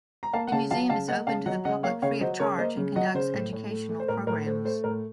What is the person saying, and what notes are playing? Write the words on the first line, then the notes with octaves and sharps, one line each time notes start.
The museum is open to the public free of charge and conducts educational programs.
A#5
A#3 F5 A5
F#5
C#3 F5 A5
F#3 F5 A5
C#3 F5 A5
A#3 D#5 F#5
C#3 F5 A5
F#3 D#5 F#5
C#3 D#5 F#5
A#3 C#5 F5
C#3 C#5 F5
F#3 C5 D#5
C#3 A#4 C#5
A#3 C5 D#5
C#3
F#3 D#5 F#5
C#3 C5
A2
A2
A3
A3
C5
A2 A#4
A2 A#4
A3 C5
A3 C5
A2 A#4